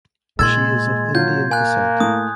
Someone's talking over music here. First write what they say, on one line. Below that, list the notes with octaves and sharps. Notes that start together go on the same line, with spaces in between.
She is of Indian descent.
A#2 G#3 C6 E6 G#6 A6
F#3 F4 G6
A#3 G#5 F#6
A2 D#6